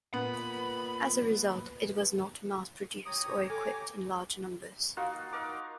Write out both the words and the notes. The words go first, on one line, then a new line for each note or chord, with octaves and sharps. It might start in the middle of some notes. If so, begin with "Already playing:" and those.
As a result, it was not mass produced or equipped in large numbers.
A#2 B3 B5
G4 C#5 A#5 D#6
A4 G#5 D6
A#3 D#4 F4 F#4
D#4 A#4 D6